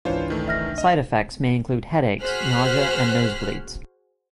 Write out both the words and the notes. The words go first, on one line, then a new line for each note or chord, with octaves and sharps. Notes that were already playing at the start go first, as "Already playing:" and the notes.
Side effects may include headaches, nausea and nose bleeds.
G#1 C#2 E3 D4 F4 C5 C#5
D#3 A3
E5 F6 A#6
D#5
F#4 G#4 C5 F6 F#6 B6